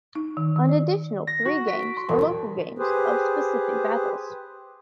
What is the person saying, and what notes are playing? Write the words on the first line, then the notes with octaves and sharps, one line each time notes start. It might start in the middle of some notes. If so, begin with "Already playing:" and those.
An additional three games are local games of specific battles.
D#4
D#3
D#3
D5
A#6
F#4
B6
D7
C6
E1
G4 G#4 B4 C5